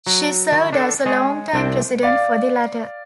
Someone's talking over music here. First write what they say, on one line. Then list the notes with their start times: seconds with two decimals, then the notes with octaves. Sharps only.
She served as a longtime president for the latter.
0.07 F#3
0.52 D#3
0.73 D4 A4
1.06 G#3 G#4 C#5
1.53 C2 C4 D4 G5
2.03 D5 F5